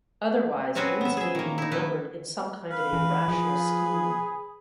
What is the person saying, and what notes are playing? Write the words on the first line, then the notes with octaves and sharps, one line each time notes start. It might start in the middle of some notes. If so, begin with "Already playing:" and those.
Otherwise, rooms may be numbered in some kind of a rational scheme.
F#3 C4 C#4 F#4 G#4 B4
B3 E5
G#4 E5
D#3 A#3
D#4 E4
D#3 E4 B4
B4 F5
E3
F3 G#4